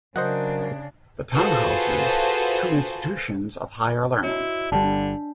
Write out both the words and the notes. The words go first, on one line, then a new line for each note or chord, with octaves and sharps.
The town houses two institutions of higher learning.
C#3 F#3 D4 A#4 C5 D#5 F#5
F4 F#4 G#4 A4 B4 C5
E4 F#4 C#5 D#5
G1 D3 G3 A5
D4